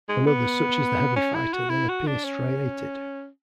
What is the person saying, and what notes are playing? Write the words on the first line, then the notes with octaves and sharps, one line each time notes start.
On others such as the heavy fighter they appear striated.
G#3
B3
C#4
E4
F#4
E4
F#4
D4
C#4